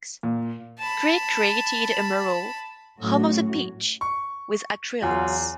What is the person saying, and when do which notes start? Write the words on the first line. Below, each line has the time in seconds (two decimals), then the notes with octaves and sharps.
Krieg created a mural, "Home of the Peach," with acrylics.
0.23 A#2
0.80 A5 B5
2.99 A2 F#3 C#4 F#4
4.01 C#6
5.02 E2 F#3 F4